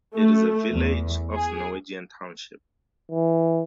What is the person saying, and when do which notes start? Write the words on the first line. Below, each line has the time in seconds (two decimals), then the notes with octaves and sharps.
It is a village of Norwegian Township.
0.16 A3
0.72 E2
1.35 G#4
3.12 E3